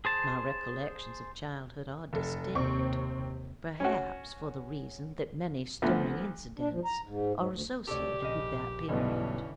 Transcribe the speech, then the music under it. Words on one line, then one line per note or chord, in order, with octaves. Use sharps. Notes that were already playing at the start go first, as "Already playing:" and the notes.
My recollections of childhood are distinct, perhaps for the reason that many stirring incidents are associated with that period.
G#4 C5 A5
F1 A4
D#2 C3 C4 C#6
C#4 F#4
D2 F3 A3 B3
D4
F3
A#5
G#2
G#2
D2
D2 C3 G4 A4 C#5 D5
A#1 C#3 D#5
B1 G2 B2 D3 E3 C#4